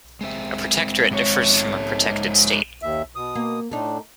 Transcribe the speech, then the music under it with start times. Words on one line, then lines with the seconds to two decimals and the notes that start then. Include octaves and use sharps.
A protectorate differs from a "protected state".
0.21 G#3 C4 E5
1.12 G#2 C#5
2.82 D#2 E5
3.16 B2 D#6
3.35 A#3
3.71 A2 A3 D4 D#4